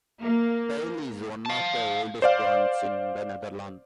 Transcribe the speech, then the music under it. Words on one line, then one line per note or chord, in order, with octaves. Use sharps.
Tiel is one of the oldest towns in the Netherlands.
A#3
F5 A5
C5 D5 F5